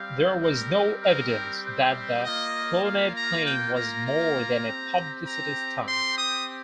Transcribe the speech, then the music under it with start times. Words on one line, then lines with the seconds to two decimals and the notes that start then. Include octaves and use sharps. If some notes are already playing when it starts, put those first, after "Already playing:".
There was no evidence that the Clonaid claim was more than a publicity stunt.
Already playing: G3 C4 G4 F5
0.43 A#4
1.03 A#4
1.65 C5
2.25 A#3 F4 D#5
2.85 F5
3.16 A#5
3.46 G5
3.76 A#5
4.07 A#5
4.67 C4 G4
5.28 A#5
5.88 C6
6.18 D#6